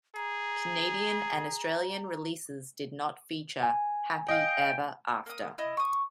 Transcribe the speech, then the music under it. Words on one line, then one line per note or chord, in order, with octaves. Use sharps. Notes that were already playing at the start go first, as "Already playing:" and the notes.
Canadian and Australian releases did not feature "Happy Ever After".
G#4 A#5
G#5
D#5 F5 G5
A#3 D#6
E4 D#5
C#6 D#6